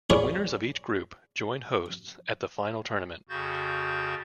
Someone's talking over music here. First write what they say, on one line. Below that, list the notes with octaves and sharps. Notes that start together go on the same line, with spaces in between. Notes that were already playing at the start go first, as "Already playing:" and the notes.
The winners of each group join hosts at the Final Tournament.
F4 G#4 C#5 D5 G#5 B5
F2 C#3 F#4 G6 A6